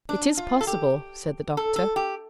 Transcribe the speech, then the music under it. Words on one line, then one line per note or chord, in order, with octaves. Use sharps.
"It is possible," said the doctor.
D4
F4
A4
G4
A4
A4
G4